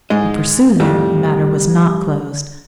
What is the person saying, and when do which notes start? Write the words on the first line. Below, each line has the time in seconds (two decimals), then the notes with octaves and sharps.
But for Susan the matter was not closed.
0.10 G#2 G#3 D#5
0.80 F2 A2 G3 A3